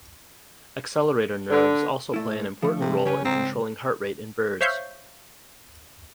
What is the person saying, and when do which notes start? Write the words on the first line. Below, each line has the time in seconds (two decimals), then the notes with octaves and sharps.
Accelerator nerves also play an important role in controlling heart rate in birds.
1.50 D3
2.14 A#2 A3 E4
2.62 F3 A3
2.80 C3
3.05 C#3 C#4 G4 B4
3.25 C#2 G#2 C4 A#5
4.61 C5 C#5 E5 F5 C#6 G6